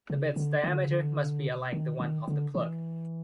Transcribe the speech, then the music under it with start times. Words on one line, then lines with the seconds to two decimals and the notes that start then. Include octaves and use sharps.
The bit’s diameter must be alike the one of the plug.
0.10 C#3
0.36 D3
0.63 D#3
0.71 D3
0.79 C#3
0.87 D3
1.72 D#3
2.00 D#3
2.28 D3
2.55 E3